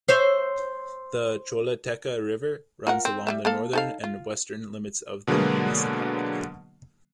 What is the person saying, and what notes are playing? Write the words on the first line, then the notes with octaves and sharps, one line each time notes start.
The Choluteca River runs along the northern and western limits of the municipality.
C5 C#5 E5
F4 A#4 F#5
C4
G3 C4 E5
A#3 A4 F5
D#4 A4 F5
F4
B2 D3 F#3 G#3 A#3 B3